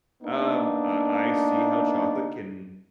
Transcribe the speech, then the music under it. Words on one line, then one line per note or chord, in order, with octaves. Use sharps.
um, I I see how chocolate can
A#3 B3 D4 D#4